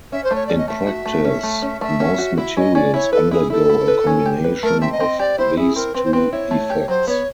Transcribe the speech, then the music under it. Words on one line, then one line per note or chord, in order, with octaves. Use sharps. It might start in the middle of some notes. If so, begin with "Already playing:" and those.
In practice, most materials undergo a combination of these two effects.
C#4 E5
C5
A3 C#5
C#4 D5
D#5
A3 E5
F#4
A3
C#4
A3
C#4
A3 E5
C#4
F#4
E4 E5
C#4 D#5
C#4 D5
E4 C#5
A4 B4
E4 G#4
E4 A4
E4
B4
C#4
G4
B4
A3 A#4
C4 E5
D#5
C4
G4 D5
E4 C5
E4 G#4
C4 A#4
C4 B4
C5
C4 B4
E4 C#5
A3
G4
F#3 C5
B3 C#5